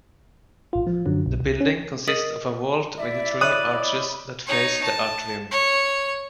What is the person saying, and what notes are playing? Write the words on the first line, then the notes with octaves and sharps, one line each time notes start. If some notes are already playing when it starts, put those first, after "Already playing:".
The building consists of a vault with three arches that face the atrium.
A1 F4
F3
F#2 D3 F#3
B1
C2
C#4
A#4 D#5 D#6 A6 B6 F#7
E4 D5 E5
C#5 D#5 E5 B5 D#6 F#6
D#4 C#5
A5
C#5